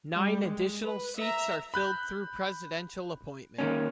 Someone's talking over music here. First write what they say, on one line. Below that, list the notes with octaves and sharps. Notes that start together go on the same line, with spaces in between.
Nine additional seats are filled through presidential appointment.
G3
G#3
B4
E5 A#5
B5 F#6 G6
D#3 A#3 C#4